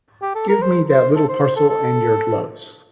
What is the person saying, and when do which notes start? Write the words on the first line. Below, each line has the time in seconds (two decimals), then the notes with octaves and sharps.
Give me that little parcel and your gloves.
0.22 G4
0.35 A4
0.49 A#4
0.62 C5
0.89 C5
1.16 A4
1.29 C5
1.43 C5
1.56 A4
1.70 A4